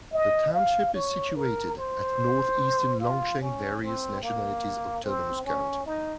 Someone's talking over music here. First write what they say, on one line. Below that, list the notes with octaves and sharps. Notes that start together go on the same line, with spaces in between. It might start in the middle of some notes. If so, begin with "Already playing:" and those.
The township is situated at northeastern Longsheng Various Nationalities Autonomous County.
D#5
F5
C#5
A#4
C5
F4
C#4
C4
A#3
C4
C#4
D#4